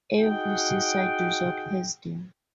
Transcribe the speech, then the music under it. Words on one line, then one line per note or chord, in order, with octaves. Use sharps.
Every seaside resort has them.
D#4 F#4 G#4 F#5 G5